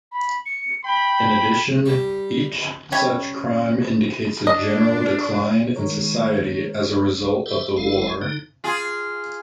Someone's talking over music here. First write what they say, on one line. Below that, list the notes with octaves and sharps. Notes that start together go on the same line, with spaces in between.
In addition, each such crime indicates a general decline in society as a result of the war.
B5
C#7
G5 B5
G3
G3 C#4 C#5
D4 D#5
D#3 G#3 A#4 C#5
G4 A4 C5 E5
F#1 G#3 E4 A4 F5
D3 D#4
F4 G#4